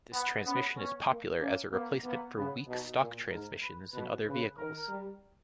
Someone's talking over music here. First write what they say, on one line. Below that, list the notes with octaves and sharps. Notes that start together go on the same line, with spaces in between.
This transmission is popular as a replacement for weak stock transmissions in other vehicles.
B3
B3 C#4
B3 C#4
A#3
A#3 C#4
A#3 B3
A#3 B3
C#3 B3
B2 D#4
A#2
G#2 A#4
B4
B2 B4
C#3 B4
D#3 A#4
G3